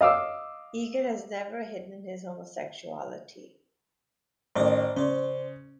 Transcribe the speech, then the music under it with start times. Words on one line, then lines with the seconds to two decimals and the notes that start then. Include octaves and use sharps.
Egan has never hidden his homosexuality.
0.01 D#5 F5 D6 E6
4.55 A1 D#3 C5 D5 D#5
4.96 C#3 C5 D5